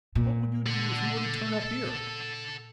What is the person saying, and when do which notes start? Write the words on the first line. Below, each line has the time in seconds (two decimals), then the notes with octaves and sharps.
What would you do if he were to turn up here?
0.15 A#2
0.66 A4 F#5